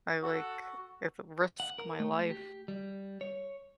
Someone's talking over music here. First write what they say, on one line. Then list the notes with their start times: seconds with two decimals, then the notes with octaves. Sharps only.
I like it's risk my life.
0.23 F#4 A4 F#5
1.60 F#5
1.78 A#4
2.00 A3
2.30 G4
2.68 G3
3.21 C#5